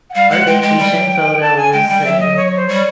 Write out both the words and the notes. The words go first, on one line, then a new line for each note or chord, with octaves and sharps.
our vacation photos and
F#5
G3 F5
G#3 F#5
G#3 G5
G#3 G5
G3
F#3
A5
G#5
G#3 G5
G3 G5
F#3 E5
D#5
C#5
C#5
C5
G3 C#5